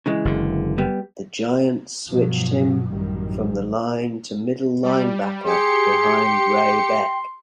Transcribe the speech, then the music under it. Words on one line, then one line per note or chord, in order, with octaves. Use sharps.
The Giants switched him from the line to middle linebacker behind Ray Beck.
C#3 E3 G#3
F#1 D3
G3 B3
G2 B2 F3 F#3
A1 F#2 D#3 G3
G3
G4 G#4 C6 C#7
G5